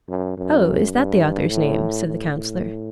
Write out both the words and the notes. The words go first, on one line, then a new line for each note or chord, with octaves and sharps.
"Oh, is that the author's name?" said the Councillor.
F#2
F#2
G2
A2
A2
A2